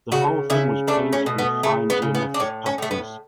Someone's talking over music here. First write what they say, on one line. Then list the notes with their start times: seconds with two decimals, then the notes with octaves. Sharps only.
The whole thing was painted with fine geometric patterns.
0.12 C#3 F#4
0.50 C#3 E4
0.88 A3 D4
1.13 C#4
1.26 B2
1.38 B3
1.63 C#3 A3
1.90 B3
2.02 C#3
2.15 B3
2.34 D4
2.40 A2 C#4
2.66 C#4
2.78 A2 A3
2.91 B3